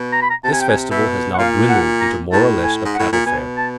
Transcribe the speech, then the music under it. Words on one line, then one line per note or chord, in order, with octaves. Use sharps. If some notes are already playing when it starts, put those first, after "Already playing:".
This festival has now dwindled into more or less a cattle fair.
Already playing: B2
A#5
B5
A#5
C3 A5
G#5
G5
G#5
B2 E5
F#5
A#2 F5
F#5
A#5
A2 A5
G#5
G#2
F#5
A2
A#2
B2 G#5
A5